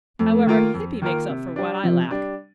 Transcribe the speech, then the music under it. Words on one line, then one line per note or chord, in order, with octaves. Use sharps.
However, Hippy makes up for what I lack.
F2 A3
D#3 A#3 F4 A#4
F2
D#3 A#3 F4 A#4
C3
G3 D4
C3 F3
G3 D4